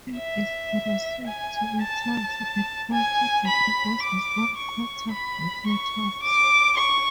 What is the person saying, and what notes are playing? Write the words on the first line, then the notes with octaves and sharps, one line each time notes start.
It is corrosive to metals and also decomposes on contact with metals.
E5
G#5
A5
G#5
B5
D6
C#6
B5
C#6
D6
C#6